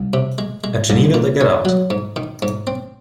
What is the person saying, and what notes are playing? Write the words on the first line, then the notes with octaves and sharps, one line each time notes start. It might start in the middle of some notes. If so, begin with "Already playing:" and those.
At Geneva they get out.
Already playing: C2
C3
G#3
G#3
C2
A#2
C#4
F#3
G#2
D#3
G#2
C4